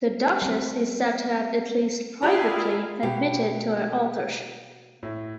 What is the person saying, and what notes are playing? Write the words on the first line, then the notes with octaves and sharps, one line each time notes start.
The duchess is said to have at least privately admitted to her authorship.
G3 C4
E4 F4 G4 G#4 D5 F5 A#5
B2 G4
A2